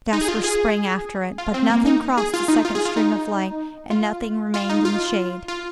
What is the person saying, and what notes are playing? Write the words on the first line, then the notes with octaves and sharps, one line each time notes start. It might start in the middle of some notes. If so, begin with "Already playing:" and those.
Jasper sprang after it, but nothing crossed the second stream of light, and nothing remained in the shade.
D#4
G#4
F4
G#4
F4
C4
A#3
D#4
G#4
F4
D#4
F4
G#4
F4
D#4
F4
F4
D#4
F4
F4